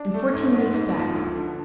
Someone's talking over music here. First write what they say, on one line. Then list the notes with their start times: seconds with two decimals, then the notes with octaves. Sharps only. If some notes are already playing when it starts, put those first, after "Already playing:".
"And fourteen leagues back?"
Already playing: D4
0.14 A3
0.34 G#2
0.54 B3
0.74 G#2
0.95 F3
1.15 D2
1.35 D3